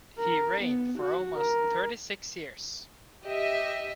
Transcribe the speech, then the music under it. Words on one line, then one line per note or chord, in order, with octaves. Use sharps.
He reigned for almost thirty-six years.
A#4
B3
F#4
A#4
G4 D#5 E5